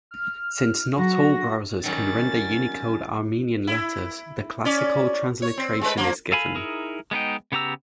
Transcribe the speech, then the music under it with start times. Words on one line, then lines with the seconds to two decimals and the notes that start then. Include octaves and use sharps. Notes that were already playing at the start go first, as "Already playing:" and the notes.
"Since not all browsers can render Unicode Armenian letters, the classical transliteration" is given.
0.11 F6
0.98 F#3 F#4 A#6
1.84 D#3 F#3 G3 C#4 A6
3.67 E4
4.65 C#4 D5
5.42 C#5
5.57 C4
5.81 G#3 A3 B4
5.97 F3 A#3
6.32 A4 F5 G#5 B5
6.55 D#4 E4 G#4 A#4
7.11 G#3 B3 D#4 G5
7.52 C#3 B3 G4 A#5 E6